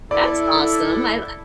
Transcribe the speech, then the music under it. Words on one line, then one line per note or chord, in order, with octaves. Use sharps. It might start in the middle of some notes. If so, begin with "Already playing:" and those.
That's awesome. I li
E4 A4 D5